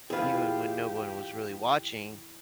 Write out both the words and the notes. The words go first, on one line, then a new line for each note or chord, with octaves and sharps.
even when no one was really watching,
E2 E4 F4 G4 G#4 B4 G5